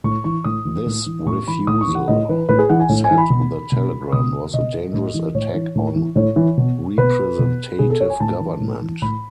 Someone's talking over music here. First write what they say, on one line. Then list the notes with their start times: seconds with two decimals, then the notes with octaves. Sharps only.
This refusal, said the telegram, was a dangerous attack on representative government.
0.04 A2 C#6
0.24 E3 C#6
0.44 A2 D#6
0.65 E3
0.86 A2
1.06 E3
1.26 A2 C#6
1.48 E3 B5
1.67 A2 D#6
1.81 C#6
1.87 E3
1.95 F#5
2.08 A2 D#5
2.29 E3 B4
2.49 A2 B4
2.59 G#4
2.69 E3 F#5
2.80 G#5
2.89 A2
3.04 G#5
3.11 E3
3.18 B5
3.30 B2
3.72 B2
4.12 B2 D#6
4.53 B2 D#5
4.93 A2
5.14 E3
5.35 A2 C#5
5.54 E3
5.75 A2
5.96 E3
6.16 A2 C#5
6.36 E3
6.57 B2
6.98 B2 B4
7.39 B2
7.79 B2 G#4
7.90 A4
8.00 C#5
8.10 G#5
8.20 A2 A5
8.40 E3
8.61 A2
8.82 E3
9.02 A2 B5